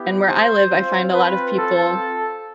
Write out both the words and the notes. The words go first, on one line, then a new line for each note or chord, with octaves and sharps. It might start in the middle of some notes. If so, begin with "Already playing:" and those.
and where I live, I find a lot of people
Already playing: B3 E4 G4
C5
C4 F4
B4
A4